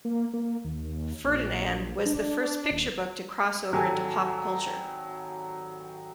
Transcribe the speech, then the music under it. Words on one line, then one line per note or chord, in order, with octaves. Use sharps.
"Ferdinand" was the first picture book to crossover into pop culture.
A#3
A#3
D#2
A#1
D4
D#1
G#1 F#3 G4 A4 G#5 A5